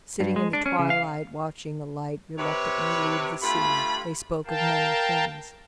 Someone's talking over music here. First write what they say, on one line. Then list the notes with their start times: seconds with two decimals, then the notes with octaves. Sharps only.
Sitting in the twilight, watching the light reluctantly leave the sea, they spoke of many things.
0.20 G2
0.36 G#3
0.53 D4
0.66 C#4
0.79 C#3
0.90 F5
2.38 C3 B4 C#5
3.42 G2 A3 F4 B5
4.47 A#4 F5 G5 A5